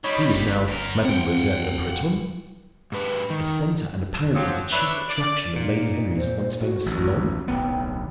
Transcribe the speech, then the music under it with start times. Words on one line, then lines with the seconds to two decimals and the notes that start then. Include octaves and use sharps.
She was now "Mademoiselle Le Breton "?--the centre and apparently the chief attraction of Lady Henry's once famous salon?
0.04 D#3 G3 C#5 D#5 B5
0.33 G1 B6
0.68 F#2 A#4
1.05 C4 F#5 G5
2.92 G#2 B4
3.30 D#3
4.33 F3 F#3 G4
4.70 D4 E4 B4 C#5 D5 E5
5.08 D5
5.56 A#2 D#4
6.17 C5
6.59 F#4
6.86 A1 D#2
7.48 D1 B1 B3 G5